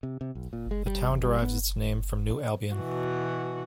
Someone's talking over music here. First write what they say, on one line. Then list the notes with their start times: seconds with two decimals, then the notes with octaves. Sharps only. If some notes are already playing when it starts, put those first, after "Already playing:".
The town derives its name from New Albion.
0.03 C3
0.21 C3
0.35 B1
0.53 A#2
0.71 G#3
0.86 G3
1.10 E2
1.24 G3
1.42 B3
2.76 B2 E3 F#4